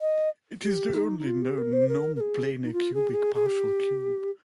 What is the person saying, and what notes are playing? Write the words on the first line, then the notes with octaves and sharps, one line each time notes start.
It is the only known nonplanar cubic partial cube.
D#5
G4
D#4
D#4
F4
G4
A#4
C5
A#4
A#4
G#4
D#4
F4
G#4
G4
G#4
G#4
G4